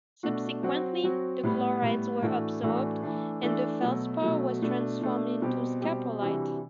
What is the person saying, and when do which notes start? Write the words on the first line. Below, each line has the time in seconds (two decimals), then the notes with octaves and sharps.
Subsequently the chlorides were absorbed, and the feldspar was transformed into scapolite.
0.23 B2 A3 D4 F#4
0.63 F#3 C4 F#4
1.03 F#3 C4 F#4
1.43 A2 G3 B3
1.82 A2 G3 B3
2.22 A2 E3 A3 D4 F#4
2.62 A2 E3 A3 D4 F#4
3.02 E3 A3 D4
3.43 E3 A3 D4
3.82 B2 F#3 A3
4.21 B2 F#3 A3
4.62 B2 A3 D4
5.02 B2 A3 D4
5.42 B2 G3 C4 G4
5.81 B2 G3 C4 G4
6.21 C3 E3 G3 D4 F#4